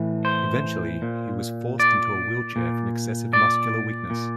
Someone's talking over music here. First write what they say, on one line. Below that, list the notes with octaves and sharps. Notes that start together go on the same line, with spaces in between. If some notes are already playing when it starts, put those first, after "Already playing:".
Eventually he was forced into a wheelchair from excessive muscular weakness.
Already playing: A2 E3
C5
A#2
D5
A#2
D5
A#2